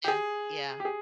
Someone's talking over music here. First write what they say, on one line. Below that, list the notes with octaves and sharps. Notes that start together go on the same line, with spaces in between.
Yeah, yeah.
G4
G#4
G4
G#4